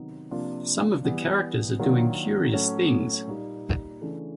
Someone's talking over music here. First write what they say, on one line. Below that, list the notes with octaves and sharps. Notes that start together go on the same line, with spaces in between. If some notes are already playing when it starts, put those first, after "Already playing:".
Some of the characters are doing curious things.
Already playing: C3 D#3 F#3 B3 D#4
C3 F3 A#3 D4 F4
E3 G3 B3
D#3 F#3 A#3 D4 F4
A2 F#3 A3 C#4
A#2 G3 A#3 D#4
C#3 E3 A3 D4